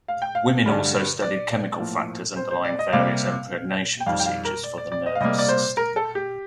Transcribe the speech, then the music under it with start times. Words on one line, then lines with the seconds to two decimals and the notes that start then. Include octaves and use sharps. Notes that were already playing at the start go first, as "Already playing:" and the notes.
Wolman also studied chemical factors underlying various impregnation procedures for the nervous system.
0.08 F5
0.22 G5
0.35 F5
0.66 G2 D3 G3
1.22 D5
1.79 A2 F3 A#3
2.36 C5
2.51 C5
2.64 D5
2.79 D#5
2.93 C3 G3 A#3 F5
4.00 G5
4.06 F2 D#3 G3 F5
4.20 G5
4.26 F5
4.45 A#4
4.64 D5
4.78 D5
4.92 D5
5.06 D#5
5.15 F5
5.21 C3 G3 A#3 D#5
5.39 D5
5.48 C5
5.77 A#4
5.96 A4
6.15 G4